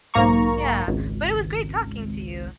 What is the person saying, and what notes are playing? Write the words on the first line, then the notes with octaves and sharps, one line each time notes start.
Yeah, but, it was great talking to you.
B1 G#2 A#3 A#5 C#6
G#1 C#2